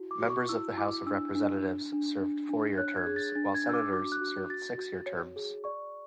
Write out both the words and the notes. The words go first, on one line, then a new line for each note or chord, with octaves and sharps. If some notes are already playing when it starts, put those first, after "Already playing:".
Members of the House of Representatives served four-year terms, while senators served six-year terms.
Already playing: E4 F#4
D6
F#4
C#6
E4 E6
E4 D6
D4 E6
D4
D4
D4
D4
D4
C#5 F#6
G#6
G#4
A6
D4 A6
G#6
D4 E6
D6
F#4 D6
F#6
F#4
F#4 A6
F#4
C#5
G#4
D5 C#6